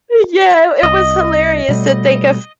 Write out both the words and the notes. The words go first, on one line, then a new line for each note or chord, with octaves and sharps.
Uh, yeah, i it was hilarious to think of
C2 D#5
B2 G3 A3